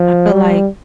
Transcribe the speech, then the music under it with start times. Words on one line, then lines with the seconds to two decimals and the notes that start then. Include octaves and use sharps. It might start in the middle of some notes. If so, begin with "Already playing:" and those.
I feel like
Already playing: F3
0.32 G3